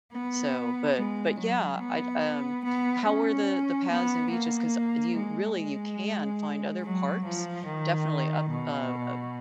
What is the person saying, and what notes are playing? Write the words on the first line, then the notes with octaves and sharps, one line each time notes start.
So, but but yeah, I'd um, how were the the paths and beaches, 'cause, uh do you really you can find other parks definitely up uh uh
B3
G#3
F#3
B3
B3
C#4
B3
A#3
G#3
G#3
F#3
F3
D#3
B2